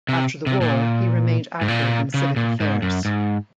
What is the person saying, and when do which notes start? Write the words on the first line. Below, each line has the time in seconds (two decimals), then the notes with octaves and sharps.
After the war he remained active in civic affairs.
0.09 C3
0.47 C3
0.61 A#2
1.61 G#2
1.68 A#2
2.14 C#3
2.36 A#2
2.60 G#2
2.82 F#2
3.05 G#2